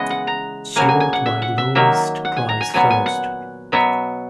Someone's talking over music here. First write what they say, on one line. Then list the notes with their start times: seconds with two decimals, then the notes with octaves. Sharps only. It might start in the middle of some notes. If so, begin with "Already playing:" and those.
Sort by lowest price first.
Already playing: C#3 E3 G#3 B3 D#5
0.10 F#5
0.27 A#5
0.76 C#3 F#3 A#3 G#5
0.89 G#5
1.00 G#5
1.13 F#5
1.26 E5
1.42 F#5
1.58 E5
1.75 D#3 F#3 A#3 E5
2.25 F#5
2.36 G#5
2.49 A#5
2.61 G#5
2.74 A#2 F#3 B3 G#5
2.90 G#5
3.06 F#5
3.72 B2 F#3 B3 E5